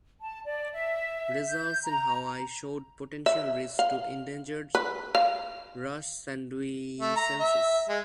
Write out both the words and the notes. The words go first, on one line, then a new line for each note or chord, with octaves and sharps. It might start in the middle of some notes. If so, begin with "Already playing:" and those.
Results in Hawaii showed potential risk to endangered "Rhus sandwicensis".
A5
D5
E5
G6
A#5
E5
F5
B4
F5
A3
A#5
E5
G#3